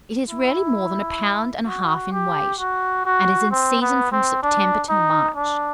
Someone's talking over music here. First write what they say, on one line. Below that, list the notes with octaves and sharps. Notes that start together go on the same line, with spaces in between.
It is rarely more than a pound and a half in weight, and is in season from September till March.
E4
F#4
G4
F#4
F#4
C4
B3
C4
D4
D#4
D4